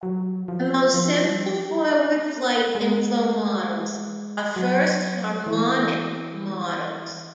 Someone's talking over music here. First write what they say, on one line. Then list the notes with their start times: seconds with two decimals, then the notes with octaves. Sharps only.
The most simple forward flight inflow models are first harmonic models.
0.03 F#3
0.48 F3
0.94 F3
1.24 G3
2.75 G#3
4.56 F#3
5.46 E3